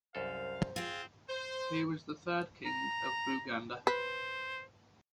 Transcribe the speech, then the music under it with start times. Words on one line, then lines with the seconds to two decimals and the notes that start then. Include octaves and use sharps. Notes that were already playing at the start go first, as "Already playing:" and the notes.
He was the third king of Buganda.
0.15 C2 F#2 A4 C5 F5
0.76 C4 F4 G#4
1.29 C5
2.65 A#5
3.87 B4 C5